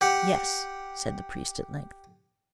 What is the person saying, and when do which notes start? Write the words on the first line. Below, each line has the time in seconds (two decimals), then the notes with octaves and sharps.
"Yes," said the priest at length.
0.01 G4 F#5